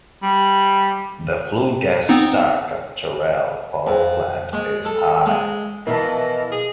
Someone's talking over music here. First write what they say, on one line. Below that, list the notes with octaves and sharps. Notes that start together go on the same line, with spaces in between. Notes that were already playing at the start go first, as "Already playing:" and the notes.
The flue gas stack of Teruel Power Plant is high.
G3
B3 C4 D#4
F2
G#3
A4
G#3
B2 E3 F3 A#4 D#5 E5 A5
G#4